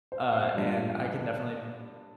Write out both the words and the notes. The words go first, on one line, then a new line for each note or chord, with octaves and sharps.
uh, and I can definitely
C5
F5
G2 F3 G#3